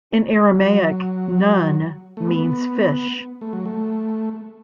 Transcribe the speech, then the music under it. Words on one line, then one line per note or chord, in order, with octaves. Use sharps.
In Aramaic, "nun" means "fish".
F#3
A3
B3
A3
F#3
A3